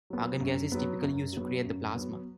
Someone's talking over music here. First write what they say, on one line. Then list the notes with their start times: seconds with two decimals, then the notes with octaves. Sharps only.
Argon gas is typically used to create the plasma.
0.10 F#3 B3
0.41 F#2
0.72 F#3 B3
1.02 F#2
1.33 F#3 B3
1.64 F#2
1.95 F#3 B3